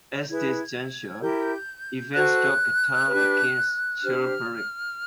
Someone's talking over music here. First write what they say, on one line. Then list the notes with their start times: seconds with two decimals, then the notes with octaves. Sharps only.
At this juncture, events took a turn against Chilperic.
0.21 G6
0.28 E4 G#4 B4 G#6
1.21 E4 G4 A#4 G6
2.14 F#4 A4 C5 F#6
3.08 D4 G4 B4
4.00 D4 G4 C5 F6